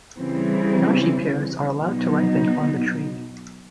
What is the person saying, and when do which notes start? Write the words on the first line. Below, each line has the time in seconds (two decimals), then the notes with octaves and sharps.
Nashi pears are allowed to ripen on the tree.
0.17 C#3 E3 G3 C4
1.79 B2 F#3 B3 D#4